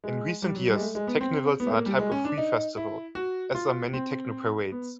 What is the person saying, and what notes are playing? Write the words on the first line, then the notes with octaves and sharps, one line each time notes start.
In recent years, teknivals are a type of free festival, as are many technoparades.
G#3
G3
F#3
G3
G#3
A3
G#3
B3
C4
B3
A3
A#3
G3
G#3
C#4
D4
D#4
E4
F#4
F4
C4
B3